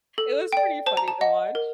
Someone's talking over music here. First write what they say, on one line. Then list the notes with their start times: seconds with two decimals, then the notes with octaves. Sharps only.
Iit was pretty funny to watch.
0.18 A4
0.53 D5 G5
0.86 C5 A5
0.97 A#5
1.08 A5
1.21 D#5 F#5
1.55 A#4